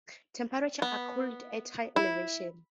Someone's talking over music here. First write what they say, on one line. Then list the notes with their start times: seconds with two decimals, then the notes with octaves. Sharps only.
Temperatures are cooler at higher elevations.
0.82 B3
1.96 E4